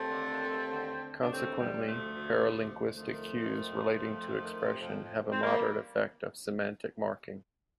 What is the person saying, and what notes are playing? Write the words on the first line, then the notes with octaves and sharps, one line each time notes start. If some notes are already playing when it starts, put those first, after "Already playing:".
Consequently, paralinguistic cues relating to expression have a moderate effect of semantic marking.
Already playing: D#2 A3 C4
D3
D#2
D#2
D3
D3
D#2
D4
D2 A3 C4
C3
G3
D2
F3 A3
D2
D2
C3
D2
D2
D#3 F3 A3
F2
D#3
F2
D#3
F2
F2
D#3
C3
F2
F2
F2
C4
D#3 G3 A#3